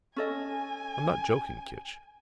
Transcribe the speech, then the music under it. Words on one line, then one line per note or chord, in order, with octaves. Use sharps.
I'm not joking, Kinch.
C#4 A4 D#5 G#5